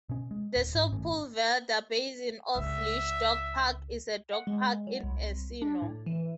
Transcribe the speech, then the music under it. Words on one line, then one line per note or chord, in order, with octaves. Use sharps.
The Sepulveda Basin Off-leash Dog Park is a dog park in Encino.
B2 C#4
G#3
D1
G#2
G1 A2 D#3 C#4
C#2 D3 E5
F#5
G#3
F#3
C2
D4
A2
E3